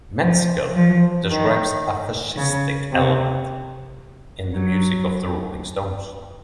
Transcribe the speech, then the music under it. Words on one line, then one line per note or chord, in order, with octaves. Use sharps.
Metzger describes "a fascistic element" in the music of the Rolling Stones.
F3
F3
D#3
C#3
C3
F#3